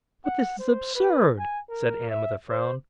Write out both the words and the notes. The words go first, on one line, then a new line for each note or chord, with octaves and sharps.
"But this is absurd!" said Ann with a frown.
F#5
C5
B4
G#5
A#4
E5
C5